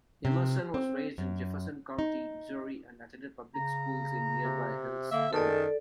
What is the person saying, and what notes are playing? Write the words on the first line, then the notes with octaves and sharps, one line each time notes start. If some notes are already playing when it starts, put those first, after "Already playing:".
Emerson was raised in Jefferson County, Missouri and attended public schools in nearby Hillsboro.
C3
C4
F#2
D#4
C#3 A#5
C3
D3 A#3 E5
F#2 D#3 G#4 A4 D5 A5